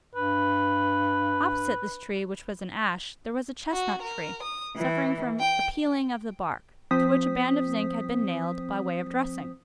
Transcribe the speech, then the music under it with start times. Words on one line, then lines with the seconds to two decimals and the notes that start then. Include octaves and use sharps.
Opposite this tree, which was an ash, there was a chestnut-tree, suffering from a peeling of the bark, to which a band of zinc had been nailed by way of dressing.
0.15 G2 B4
3.72 F#4
4.02 A#4
4.42 D#6
4.75 E3
5.39 G5
6.91 F3 C4 C5 D#6 B6